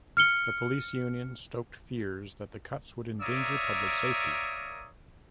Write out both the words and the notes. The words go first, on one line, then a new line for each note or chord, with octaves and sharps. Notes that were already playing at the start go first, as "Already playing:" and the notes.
The police union stoked fears that the cuts would endanger public safety.
F6 C#7 G7
A#3 A#4 C#5 D5 E5 D#6